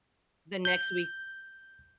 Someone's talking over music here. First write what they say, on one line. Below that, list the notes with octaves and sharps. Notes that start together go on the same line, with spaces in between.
The next week
G6